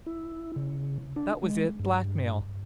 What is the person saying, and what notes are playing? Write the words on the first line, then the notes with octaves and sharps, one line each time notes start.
That was it--blackmail.
E4
C#3
D4
G#3
G2